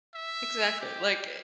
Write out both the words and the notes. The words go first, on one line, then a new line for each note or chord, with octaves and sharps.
Exactly. Like,
E5
G4